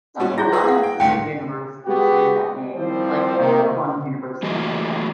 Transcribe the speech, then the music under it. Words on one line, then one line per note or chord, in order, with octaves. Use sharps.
Some alliances of universities use that name, like Sorbonne University.
G3 C#4 F#4
E4 G#4 D5 F#6 G6 A#6
G#4 B4 E5 E6
F5 F#5
G5
G1 C#2 A2 G5
G#3 B3 F#4 G4
D#3 F3 G3 C4 E4 C5
C3 D#3 A#3
A#2 E3 A3 F#4 G4 D#5